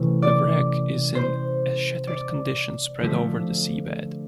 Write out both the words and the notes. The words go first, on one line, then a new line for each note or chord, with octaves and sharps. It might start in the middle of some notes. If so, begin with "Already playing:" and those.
The wreck is in a shattered condition spread over the sea bed.
Already playing: C3 E3 A3 C#4
D5
C5
D5
D3 F3 A3